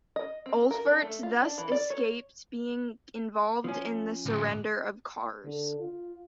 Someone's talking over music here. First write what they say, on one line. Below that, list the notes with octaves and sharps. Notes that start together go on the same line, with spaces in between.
Olpherts thus escaped being involved in the surrender of Kars.
D#5
C4
A#4
D4
A3
F4
D4
E3
D5
C#5
F3 C#4
D2 A2
D3
F4